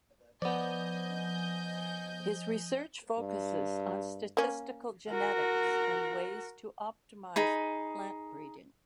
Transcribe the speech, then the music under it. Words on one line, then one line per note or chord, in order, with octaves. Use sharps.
His research focuses on statistical genetics and ways to optimize plant breeding.
F3 B3 D5 D#5 G#5 G6
G2
A#3 C#4
F#4 A#4
D#4 G#4 B5